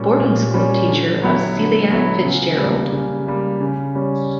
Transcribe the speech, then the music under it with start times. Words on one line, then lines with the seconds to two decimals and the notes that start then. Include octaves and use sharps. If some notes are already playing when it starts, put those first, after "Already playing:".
Boarding-school teacher of Celia Fitzgerald.
Already playing: A#2 G3 C#4
0.19 A#2
0.54 G3 C#4
0.88 D3
1.21 F#3 B3 E4
1.56 D3
1.90 F#3 B3 E4
2.24 C#3
2.58 G3 A#3
2.92 C#3
3.27 G3 A#3
3.60 C#3
3.95 G3 C#4